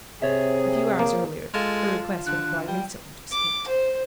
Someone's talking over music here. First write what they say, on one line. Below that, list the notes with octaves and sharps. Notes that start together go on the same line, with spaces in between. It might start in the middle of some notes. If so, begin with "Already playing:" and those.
A few hours earlier, her request would have brought him instantly to his feet.
C3 G#4 C5 C#5 E5
A#3
G#3 F4 A4 A5 F6
D3 F#6
G3 G5
D6
C5